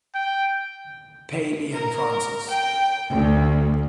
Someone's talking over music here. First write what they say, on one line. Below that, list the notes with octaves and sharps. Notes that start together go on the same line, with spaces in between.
Paley and Francis.
G5
A#4
G5
D2